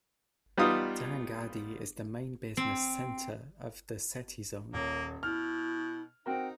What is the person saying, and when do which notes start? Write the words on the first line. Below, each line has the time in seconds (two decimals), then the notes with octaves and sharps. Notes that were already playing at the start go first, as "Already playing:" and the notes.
Dhangadhi is the main business centre of the Seti Zone.
0.58 G3 B3 D#4 F4 D#6
2.57 C4
4.73 D#1 A#3 C#5
5.23 B2 E4 F6
6.26 C4 D#4 F#4 A#4 G5